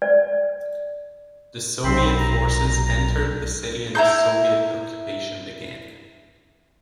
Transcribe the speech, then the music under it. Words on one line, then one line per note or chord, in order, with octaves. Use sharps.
The Soviet forces entered the city and the Soviet occupation began.
D5
B1 C4 C5 B5
A#5
E4 A#5 G6